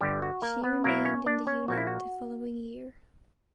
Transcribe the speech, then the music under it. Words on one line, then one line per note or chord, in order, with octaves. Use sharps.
She remained in the unit the following year.
G1 G2 D3 G3 G4
F#4
A#3 A#4
B3 B4
B2 F#3 A#3 E4 A#4
C#4 C#5
D4 D5
C#4 C#5
A#1 A#2 A#3 F#4
E4
F#4